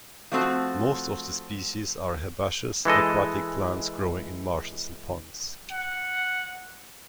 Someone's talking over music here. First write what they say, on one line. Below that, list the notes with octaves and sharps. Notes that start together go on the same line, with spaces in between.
Most of the species are herbaceous aquatic plants growing in marshes and ponds.
F3 A3 C4 F#4
E3 G#3 A4 D#5
F#5